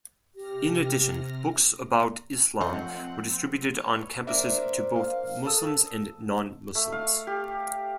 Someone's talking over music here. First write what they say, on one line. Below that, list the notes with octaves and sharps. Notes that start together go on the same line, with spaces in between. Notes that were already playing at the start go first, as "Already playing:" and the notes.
In addition, books about Islam were distributed on campuses to both Muslims and non-Muslims.
C3 G4 F6 A#6
F3 A3 C4 F4 D#5 F#5
B4 C#5
A#3 D4 A#4 C5 E5
F5
A4 A5 D#6 E6
A3
F5
G4